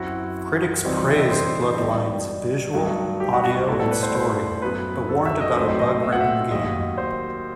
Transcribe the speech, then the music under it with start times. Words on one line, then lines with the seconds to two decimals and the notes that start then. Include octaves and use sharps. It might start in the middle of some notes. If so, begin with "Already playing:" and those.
Critics praised "Bloodlines" visual, audio and story but warned about a bug-ridden game.
Already playing: F#2 F#3 C4 E4 F#4
0.84 C3 E3 G3 C4 D#4 F#4
1.09 E5
1.21 D#5
1.31 C5
1.79 B2 G3 D#4
2.73 G2 F#3 A3 D#4
3.20 G4
3.33 F#4
3.44 F#4
3.55 F#4
3.68 A2 G3 B3 E4 A4
3.79 A4
3.91 B4
4.03 C5
4.15 C5
4.62 F#2 F#3 B3 B4
5.09 A4
5.26 E5
5.41 D#5
5.57 A2 F#3 A3 C4 D#4 D#5
5.69 C5
5.79 D#5
5.92 D#5
6.03 E5
6.12 F#5
6.21 E5
6.50 D#2 D#3 F#3 D#5
6.98 C5